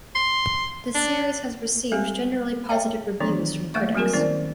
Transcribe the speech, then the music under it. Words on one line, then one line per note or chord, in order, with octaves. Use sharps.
The series has received generally positive reviews from critics.
C6
D4
G3 G#3 C4 G4
C#5 D#5 E5 G5 A5
D#3 E3 F#3 B3 D4
A3 A#3 E5 C#6
F#3 G3 C4 F#4 G#4 A#4
D#3 B3 C#4 E4 A#4 D5